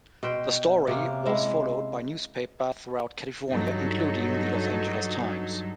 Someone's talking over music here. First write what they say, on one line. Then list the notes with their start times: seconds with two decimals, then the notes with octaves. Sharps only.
The story was followed by newspapers throughout California, including the "Los Angeles Times".
0.23 B2 C5 G5
0.87 C3 A#3 C#4
1.26 G#3 E4
3.51 G2 F#3 D#4 A4